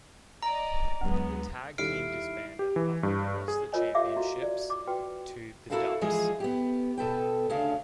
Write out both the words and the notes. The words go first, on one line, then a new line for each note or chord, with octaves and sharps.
The tag team disbanded after they lost the Championships to The Dupps.
D5 D#5 A#5
D2 F#3 G#3 B3
D#2 G3 E4 A4 F6 C7 D7
G4
E3
G2
G#4
F4 A#4 C#5 D#5 G#5
G4 A4 E5 F5 D6
E4 F#4
D5
D6
F#4 B4 G5
E4 F#4 A4 A#4 F5 F#5
E3 F3 G#3 G#4
B3 G4
B2 A4 B4 G5
D2 C#3 D4 F5